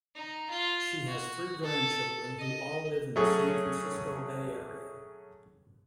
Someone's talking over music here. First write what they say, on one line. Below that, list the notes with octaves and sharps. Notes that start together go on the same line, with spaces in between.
She has three grandchildren who all live in the San Francisco Bay Area.
D#4
F4
F#4
A4
D#5
F#3 A3 C#4 G#4